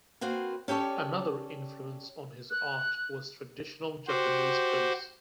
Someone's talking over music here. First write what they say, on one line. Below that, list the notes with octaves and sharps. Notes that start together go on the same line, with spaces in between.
Another influence on his art was traditional Japanese prints.
A#3 C4 F#4 B4 C5
C#4 G4 A4 C#5 D5
F#6
F#4 G4 C5